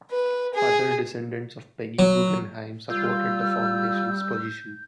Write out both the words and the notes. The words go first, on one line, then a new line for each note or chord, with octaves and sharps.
Other descendants of Peggy Guggenheim supported the foundation's position.
B4
G#4
F#3
G3 F4 E6 G6